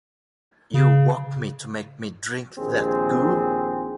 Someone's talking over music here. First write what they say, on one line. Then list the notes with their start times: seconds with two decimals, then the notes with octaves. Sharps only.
You woke me to make me drink that goo.
0.74 C#3
2.57 A#1 D#2 C4 G#4